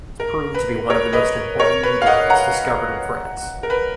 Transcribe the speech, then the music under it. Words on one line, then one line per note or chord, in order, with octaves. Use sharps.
It has proved to be one of the most important meteorites discovered in France.
A#4
B4
A#4 C#5
B4 D#5
A#4 C#5
B4
F5
D#5 F#5
F#5 A#5
A#4
B4